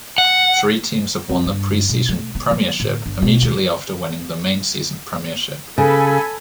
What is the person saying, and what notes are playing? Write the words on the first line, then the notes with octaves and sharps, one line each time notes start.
Three teams have won the pre-season premiership immediately after winning the main season premiership.
F#5
F2
G2
B2
A3
B3
F3
A2
G1
B2
D#2
C#3 A4 G#5 B5